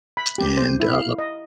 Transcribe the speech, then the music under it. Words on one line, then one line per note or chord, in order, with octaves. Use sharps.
and, uh,
B5
G4
C5
E4
F5
D#5